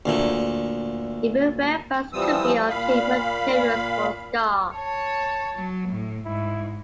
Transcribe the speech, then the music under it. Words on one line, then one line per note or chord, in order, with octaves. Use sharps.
Even where funds could be obtained materials were scarce.
D2 A#2 A3
E3 F3 G3 C4 D#6 E6
A#2 F5 B5
C#5 A5
F#3
A2
G#2 E4